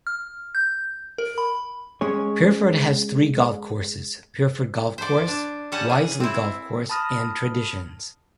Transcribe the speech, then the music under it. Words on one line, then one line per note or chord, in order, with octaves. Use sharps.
Pyrford has three golf courses: Pyrford Golf Course, Wisley Golf Course and Traditions.
F6
G6
A#4
B5
G#3 C#4 C#5
C5 D5
D4
C#3 G3 C#4 F#5 A5
G#4
C4 E4
A5 B5 D#6 F6 A#6